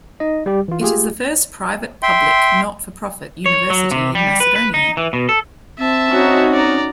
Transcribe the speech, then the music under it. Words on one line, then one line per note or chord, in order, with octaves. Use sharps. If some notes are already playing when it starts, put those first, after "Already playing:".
It is the first private-public not for profit university in Macedonia.
D#4 D#5
G3 G4
E3 F4
A3 F4 G4 G#4
E5 G5 C6
C#5
F#3
C3
G3
B4
B4
D#4
E3
B2
A4
C4 E5 A5
C#4 D#4 F#4
D5 A#5